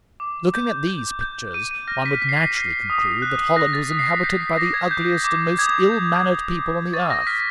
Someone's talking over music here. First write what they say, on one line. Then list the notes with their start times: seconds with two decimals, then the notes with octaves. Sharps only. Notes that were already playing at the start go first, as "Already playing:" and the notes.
Looking at these pictures, one would naturally conclude that Holland was inhabited by the ugliest and most ill-mannered people on the earth.
0.20 D6
0.54 G6
0.87 G6
1.21 G6
1.54 D6 D#7
1.71 D#7
1.87 F6 A#6
2.05 B6
2.22 F6 B6
2.29 C7
2.37 B6
2.55 F6
2.90 D#6
3.22 F#6
3.56 F#6 A#6
3.73 A6
3.90 D#6 B6
3.99 C7
4.07 B6
4.23 G6 C7
4.41 B6
4.57 D6 A#6
4.74 G#6
4.91 G6
5.24 D6
5.59 D#6 G#6
5.92 G6
6.25 D#6
6.59 D#6
6.94 C#6 A6
7.10 A#6
7.27 F6 B6